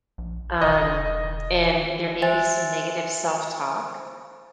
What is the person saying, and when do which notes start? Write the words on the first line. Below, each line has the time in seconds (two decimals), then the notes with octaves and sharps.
um, and there may be some negative self-talk.
0.18 A#1
0.62 E1 D#5
2.22 C5 E5 G#5 A6